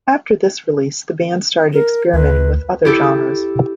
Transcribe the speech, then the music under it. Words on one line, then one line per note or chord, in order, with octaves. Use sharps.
After this release, the band started experimenting with other genres.
A#4
D2 B4
E4 G4 A4